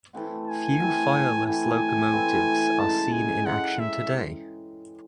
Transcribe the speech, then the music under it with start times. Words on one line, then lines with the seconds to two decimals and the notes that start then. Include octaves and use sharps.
Few fireless locomotives are seen in action today.
0.13 E3 A3 C4 F#4
0.48 G#5
0.80 E3 A3 C4 F#4
1.47 E3 A3 C4 F#4 G#5
2.13 E3 A3 C4 F#4
2.79 C#3 G#3 D#4 A5
3.13 G#5
3.46 C#3 G#3 D#4 F#5
3.80 E5